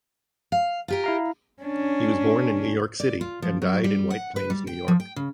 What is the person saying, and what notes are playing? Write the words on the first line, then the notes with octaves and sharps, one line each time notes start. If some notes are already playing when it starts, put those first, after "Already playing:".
He was born in New York City and died in White Plains, New York.
F5
F4 G4 A#4
E4 F5 A#5
C#4 D4
D5
F4
F3
F#3
G3
F#5
B4
G3
G5
F3
G5
C#3